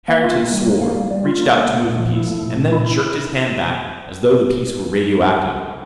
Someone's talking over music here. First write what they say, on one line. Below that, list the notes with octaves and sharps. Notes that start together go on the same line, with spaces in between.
Harrington swore, reached out to move a piece, and then jerked his hand back as though the piece were radioactive.
A#3
F4
A#3
G3
A#3
A#3
G3
G3
F4
A#3
A#3
A3
A#2
F3
E4
A3
A#2
A#2
E4
E4